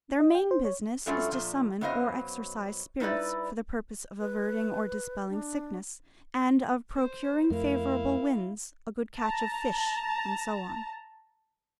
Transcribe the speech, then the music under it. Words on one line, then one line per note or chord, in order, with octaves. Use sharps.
Their main business is to summon or exorcise spirits for the purpose of averting or dispelling sickness, and of procuring favourable winds, a good catch of fish, and so on.
D#5
G5
C5
C#5
G2 F#3 G3 A3 C#4 F4
A#2 F3
F#2 F#3 B3 C5 D#5 F5
G3 D#4 E4 B4 D5
B4
D4
C5
F2 A3 E4 A#4 F5
A5 A#5